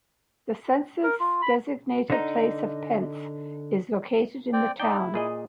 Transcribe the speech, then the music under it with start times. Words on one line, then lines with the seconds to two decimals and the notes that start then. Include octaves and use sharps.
The census-designated place of Pence is located in the town.
1.04 A#4
1.20 F4
1.42 B5
2.10 D3 D#4
4.53 C4 D5 G5
4.80 D#4 D5 G5
4.98 E4
5.14 A#2 G#4 D#5